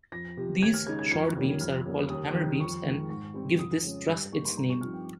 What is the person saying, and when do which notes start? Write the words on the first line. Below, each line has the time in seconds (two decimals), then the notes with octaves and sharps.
These short beams are called hammer-beams and give this truss its name.
0.12 F2 A#6
0.37 C3 F3
0.62 D#2 G#6
0.74 F6
0.86 C#3 G#3 D#4 G#6
0.99 G#6
1.11 F2 G#6
1.36 D#3 G3 A#3 C#4
1.60 F2 F6
1.86 C#3 G3 A#3
2.10 D#2 D#6
2.35 D#3 G3
2.60 F2 C#6
2.84 D#3 G#3
3.09 G#2 C#6
3.34 G3 C4
3.58 F2 D#6
3.83 C#3 G#3 C#4
4.07 G2 G6
4.32 G3 A#3 D#4 C#6
4.45 C6
4.57 G2 A#5
4.69 C#6
4.81 F3 C4 D#4 F6
4.93 G5